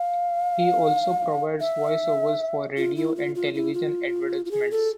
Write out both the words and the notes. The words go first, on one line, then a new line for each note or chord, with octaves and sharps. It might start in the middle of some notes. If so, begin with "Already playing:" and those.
He also provides voice-overs for radio and television advertisements.
Already playing: F5
E5
F4
E4
F4
F4
E4
F4
F4
G#4
A4